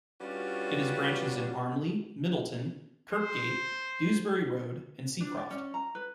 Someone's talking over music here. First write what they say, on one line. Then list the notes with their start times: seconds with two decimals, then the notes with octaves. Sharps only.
It has branches in Armley, Middleton, Kirkgate, Dewsbury Road and Seacroft.
0.21 G3 C#4 D4 F4 F#4 B4
3.13 C5
5.20 D4
5.37 D5
5.51 C#4
5.74 A#5
5.95 B4